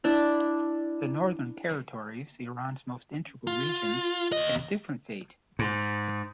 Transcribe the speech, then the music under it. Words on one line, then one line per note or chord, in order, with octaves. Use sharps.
The northern territories, Iran's most integral regions, had a different fate.
D4 E4
F4
D#2 D#5
G#2